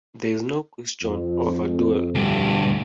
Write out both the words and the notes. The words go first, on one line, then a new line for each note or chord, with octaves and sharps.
There is no question of a duel.
F2
D2 G2